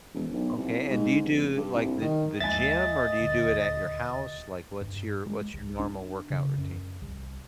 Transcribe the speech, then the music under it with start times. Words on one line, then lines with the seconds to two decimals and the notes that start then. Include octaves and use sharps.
okay, and do you do, like, the the gym, or do you do it at your house? Like, what's your what's your normal workout routine?
0.14 E1
0.32 B1
0.57 C2
0.90 G#2
1.24 F1
1.57 G2
1.75 C2
2.01 D#3
2.40 D#2 F3 G#3 D#5 E5 G#5 A6
3.19 D#1 D2
4.81 G2
5.26 G#3
5.54 C2
5.80 D4
6.30 C#3
6.58 F#2
7.02 C2